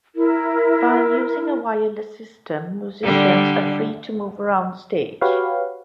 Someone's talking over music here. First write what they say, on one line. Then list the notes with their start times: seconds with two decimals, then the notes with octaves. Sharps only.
By using a wireless system, musicians are free to move around the stage.
0.15 E4 A#4
3.03 D3 G3
5.21 F#4 G4 B4 C#5 F5